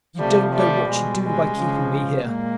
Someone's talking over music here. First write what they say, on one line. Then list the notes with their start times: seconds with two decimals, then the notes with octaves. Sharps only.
You don't know what you do by keeping me here.
0.19 C3 F3 G3 A3
0.54 G3 A3
0.88 B2 G3 G#3
1.23 G#3
1.57 C#3 F3
2.25 A#2 G#3 A#3